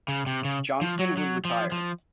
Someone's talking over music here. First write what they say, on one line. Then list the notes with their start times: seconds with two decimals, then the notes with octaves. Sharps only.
Johnston would retire.
0.08 C#3
0.27 C3
0.45 C#3
0.81 F3
0.99 F#3
1.17 F#3
1.45 F3
1.72 F3